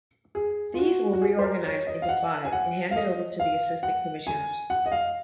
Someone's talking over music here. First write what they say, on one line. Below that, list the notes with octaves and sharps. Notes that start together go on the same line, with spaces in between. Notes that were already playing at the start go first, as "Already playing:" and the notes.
These were reorganised into five and handed over to the assistant commissioners.
G#4
F4
F#4
F#4
G#4
C5
A#4
C#5
D#5
F5
F#5
G#5
F#5
F5
D#5
F5
F#5
G#5
F#5
D#5
F5